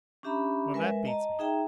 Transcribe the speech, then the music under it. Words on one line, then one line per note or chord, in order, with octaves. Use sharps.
Well, that beats me.
C#4 D4 G4 E5 A#5 B5
G#3 A#4 B4 E5 G#5
D#5 A5 A#5
D#4 G#4 E5 G5 A#5